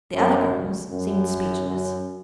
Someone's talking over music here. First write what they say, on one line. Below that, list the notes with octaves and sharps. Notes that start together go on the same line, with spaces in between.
The other girls seemed speechless.
F#2
F#2
F#2